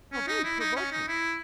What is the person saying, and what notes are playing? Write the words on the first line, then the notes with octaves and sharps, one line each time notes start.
How very provoking!
C#4
D#4
E4
D#4
C#4
D#4
E4